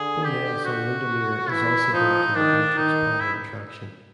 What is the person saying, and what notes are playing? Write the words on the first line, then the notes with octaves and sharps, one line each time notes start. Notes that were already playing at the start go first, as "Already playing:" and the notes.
Bowness-on-Windermere is also home to the Beatrix Potter attraction.
Already playing: D3 G#4
G4
F#4
E3 E4
F3 D#4
D#3 D4
D#3 D#4
E4